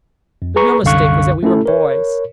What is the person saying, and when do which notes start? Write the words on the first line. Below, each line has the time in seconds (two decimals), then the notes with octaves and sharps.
The real mistake was that we were boys.
0.42 F2
0.56 G#4 B4 A#5 C#6
0.83 C2 F#2 D3 F5 C#6 F#6
1.43 A3 C#4 E4 A4
1.66 A#4 C#5